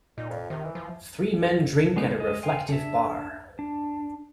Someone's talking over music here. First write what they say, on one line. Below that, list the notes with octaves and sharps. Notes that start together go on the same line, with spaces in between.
Three men drink at a reflective bar.
A#2 D#4
F2
C3 D#3
E3
F3
D3 G#3 B3 C#4 D#4
G#3 D#5
F5 G5 G#5 C6
D4 E5
D4